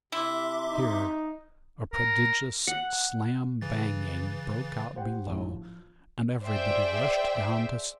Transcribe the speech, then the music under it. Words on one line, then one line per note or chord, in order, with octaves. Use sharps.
Here a prodigious slam-banging broke out below, and everybody rushed down to see.
C3 E4 E5 C6 D6
D#4
A#4
F#5
C#3 E3 A6
G4 C5 F#5 G5
A1 G#2 D3 F#3
F3
G#4 C5 D5 E5 G5